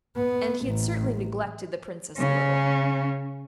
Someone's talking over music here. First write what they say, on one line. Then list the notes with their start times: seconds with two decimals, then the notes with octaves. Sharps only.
And he had certainly neglected the Princess a little.
0.17 B3
0.66 A1
2.17 C#3 C#4